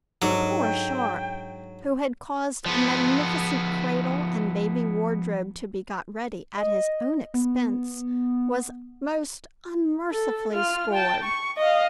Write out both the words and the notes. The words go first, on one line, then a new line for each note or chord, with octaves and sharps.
Poor Sharp, who had caused a magnificent cradle and baby-wardrobe to be got ready at his own expense, was most unmercifully scored.
G#2 F#3 D4 A4
G5
F3 B3
D#5
B3
A4
F4 F6
G5 A5
C#6
D#5 F5